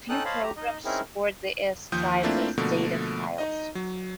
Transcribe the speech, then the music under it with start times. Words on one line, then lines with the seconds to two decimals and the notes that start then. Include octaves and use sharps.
A few programs support the "S" type as data files.
0.09 C#4 D#4 A4 G5 D#6 F#6
0.25 C5 C#5 D#5 F5 A5 B5
0.43 G4 A#5
0.56 D#4 D#5
0.85 C4 C#4 D#4 E4 G#4 A#4
1.92 D#2 F3 D#6 G6
2.23 A3 A#3 C4 D4 E4 F4
2.58 B2 D3 F3 A3 A#3
3.38 D#4 D#5
3.75 F#3